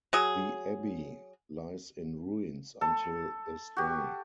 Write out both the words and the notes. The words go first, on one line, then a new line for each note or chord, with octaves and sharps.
The abbey lies in ruins until this day.
F#3 G#4
A4
F#4 G4